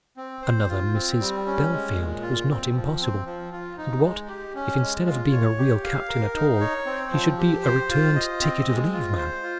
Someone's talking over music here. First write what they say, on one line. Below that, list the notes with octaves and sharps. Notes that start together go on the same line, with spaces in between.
Another Mrs. Bellfield was not impossible; and what, if instead of being a real captain at all, he should be a returned ticket-of-leave man!
C4
C5
F4
C4
G3
C#4
G#3
A#2
F4
C4
F3
C4
F3
F4
D#4
G#3
G4
C#4
G#3
F4
C#5
G4
F5
A#4
D#4
C#5
C4
F3
G4
C5
F4
D#5
C4
G#3
F4
C5
F4